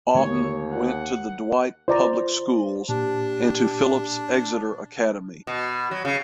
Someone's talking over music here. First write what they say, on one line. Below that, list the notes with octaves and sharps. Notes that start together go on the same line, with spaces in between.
Oughton went to the Dwight public schools and to Phillips Exeter Academy.
D#2 D3 A3 B3 C#5
F#5
F4 C5 D5 A#5
A#2 D4 G4
B2
F#3
C#3